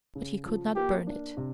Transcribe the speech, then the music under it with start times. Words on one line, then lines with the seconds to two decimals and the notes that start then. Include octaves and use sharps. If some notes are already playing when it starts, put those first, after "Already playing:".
But he could not burn it.
0.15 C#3
0.46 F3
0.76 A#3 G4
1.07 D4
1.37 C3